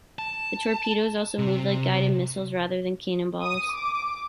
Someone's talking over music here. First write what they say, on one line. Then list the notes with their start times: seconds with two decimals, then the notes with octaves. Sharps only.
The torpedoes also moved like guided missiles rather than cannonballs.
0.19 A5
1.39 C3
3.42 D#6
3.75 D6